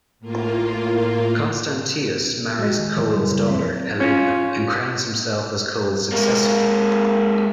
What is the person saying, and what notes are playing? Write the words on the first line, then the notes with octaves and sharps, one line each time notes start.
Constantius marries Coel's daughter, Helena, and crowns himself as Coel's successor.
A2 A#3 F4
G#3 F#4 G4 D#5
D#2
D#3 E3 F#3
C#2 F#2 G3
F2 C4 E5
C#4 F4
G#3 A#3